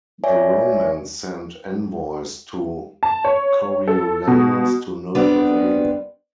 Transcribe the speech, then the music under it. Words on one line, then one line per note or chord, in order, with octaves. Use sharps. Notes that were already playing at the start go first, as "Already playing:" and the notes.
The Romans sent envoys to Coriolanus to no avail.
C#5 D5 E5 G#5
A5
C#5
A4
B2
G3 B3 C4 D4